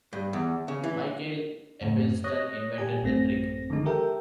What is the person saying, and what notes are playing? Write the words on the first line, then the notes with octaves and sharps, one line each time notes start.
Michael Eppelstun invented the trick.
G2
E2
C#3
E3
F#2 A2 C#3 A3
C#5 D#6 F#6 A#6
A#2 G4 G#5
A1 F#2 A3 C4 A#6
D3 D#3 F3 G#3 D#4
G4 A4 A#4 E5 G5